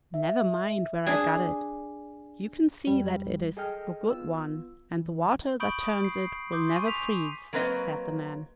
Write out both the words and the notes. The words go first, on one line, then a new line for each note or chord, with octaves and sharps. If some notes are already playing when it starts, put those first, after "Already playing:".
"Never mind where I got it; you can see that it is a good one, and the water that turns it will never freeze," said the man.
E5
D4 G#4
F2 G3
G#4 A4 D#5 G5 F6
B3 F4 E6
E3
B5 C#6 D#6 G6 D7 F#7
D#6
C7
C6 D6 D#6 G6
G#5 C#6 D#7
B6 F7
F#3 A#3 C4 B4 C#5 D#5